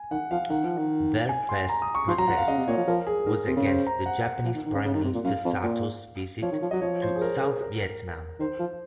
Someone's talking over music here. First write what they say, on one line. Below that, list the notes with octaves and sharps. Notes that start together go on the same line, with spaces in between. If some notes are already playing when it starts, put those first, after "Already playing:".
Their first protest was against the Japanese Prime Minister Sato's visit to South Vietnam.
Already playing: G#5
D#3 F#5
F3 F5
D#3 F#5
F3
D#3
G#5
C6
A#5
D#6
C#6
F3 C6
F#3 A#5
F3 F#5
F5
C#3 D#5
C3
A#2 C#5
F3
F3 A#4
G#4
G#2 A#4
C3
C#3
C5
A#5
F#5
F3
D#3
D#3
C#3
C#3
D#3
C3
A#2
F#2 F5
F2
A#2
F3 C#5
D#3
F3
F#3 D#5
F3 C#5
C5
G#4
A#4
G#4
A#4
D#3 C5
F3